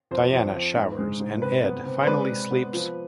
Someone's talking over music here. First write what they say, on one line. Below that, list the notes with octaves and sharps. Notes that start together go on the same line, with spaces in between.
Diana showers and Ed finally sleeps.
F2 C5
F2
F2
G#2
G#3
G#2
C3 B4
B3
C3
C5
G#3 B4 D5
C3
B3
F3